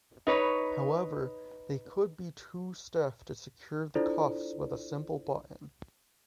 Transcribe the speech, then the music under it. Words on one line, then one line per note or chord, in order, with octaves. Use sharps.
However, they could be too stiff to secure the cuffs with a simple button.
D#4 B4 C#5
D4 E4 F4 A4 C5 D5